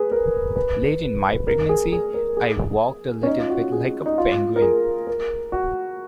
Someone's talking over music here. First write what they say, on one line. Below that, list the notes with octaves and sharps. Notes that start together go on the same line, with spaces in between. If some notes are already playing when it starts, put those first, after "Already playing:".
Late in my pregnancy, I walked a little bit like a Penguin.
Already playing: G#4 B4
A#4
B4
A#4
G#4
G#4
A#4
G#4
C#4
D#4
F4
F#4
G#4
D#4
F4
A#4
G#4
A#4
F#4